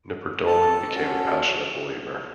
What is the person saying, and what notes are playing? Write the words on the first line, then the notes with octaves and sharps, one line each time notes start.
Knipperdolling became a passionate believer.
A4 A5
C#4 F#4 A4